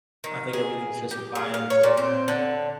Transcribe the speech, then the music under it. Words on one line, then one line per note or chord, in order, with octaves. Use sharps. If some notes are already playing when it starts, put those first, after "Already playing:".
I think everything's just a bias.
D#3
G#4
G4
G#4
F5
C#5
A#2
C4
D3